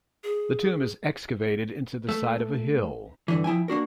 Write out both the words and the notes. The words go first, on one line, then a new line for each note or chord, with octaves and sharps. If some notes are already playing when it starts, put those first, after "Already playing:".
The tomb is excavated into the side of a hill.
G#4
A3
G2 B2 D3 E3
F3 E4 G5 G#5
A#3 D4 F#4 A#4